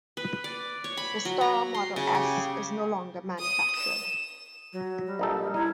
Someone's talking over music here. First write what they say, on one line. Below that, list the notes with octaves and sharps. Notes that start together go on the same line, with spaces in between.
The Star Model S is no longer manufactured.
B4
D5
C#5
B5
F#3
A#5
C6
C#3
G4
D#6
E7
F#3
G3
A#1 D#4 A4
D#4 E4